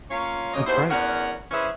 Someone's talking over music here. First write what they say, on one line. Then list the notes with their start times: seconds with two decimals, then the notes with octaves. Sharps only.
That's right.
0.10 A#3 C#4 F4 C#5
0.54 F#2 A#3 C#5 D#5
0.66 D#2 B2 E4 C5
0.89 E2 C#4 D4 A#4 F#5
1.51 E3 C#4 G#4 B4 C5 E5